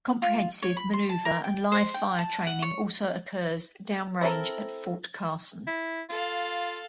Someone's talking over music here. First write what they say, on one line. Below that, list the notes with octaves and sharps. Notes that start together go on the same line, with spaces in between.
Comprehensive maneuver and live fire training also occurs downrange at Fort Carson.
F4
C#5
B5
C6
A5
A#4
G5
C5
G5
A5
F#5
C#5
C4 E4 F#4 A4 A#4
E4
F4 A4 F5